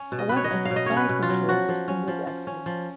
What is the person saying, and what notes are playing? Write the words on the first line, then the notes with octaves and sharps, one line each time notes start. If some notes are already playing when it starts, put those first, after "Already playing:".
However, her fire control system was excellent.
Already playing: C#4
B2
D#5
B2 B4
C#5
D#5
F#3
F5
B2
D#5
C#4 C#5
B4
B2
F4
F#3
F3 F#4
F3
C#4
F3
F3
C#4
F3